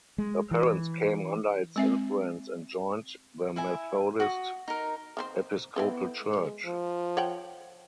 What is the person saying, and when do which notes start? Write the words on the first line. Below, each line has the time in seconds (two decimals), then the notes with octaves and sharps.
Her parents came under its influence and joined the Methodist Episcopal Church.
0.18 G#3
0.51 E3
1.76 G#3 C4 E5
3.56 E4 E5 G#5
4.20 F#4 D#6
4.68 D#4 A#4
5.17 D#3 C4 C5
5.76 B3 C4 E4 A4
6.21 G#3
6.66 F3
7.17 C#5 F#5 G5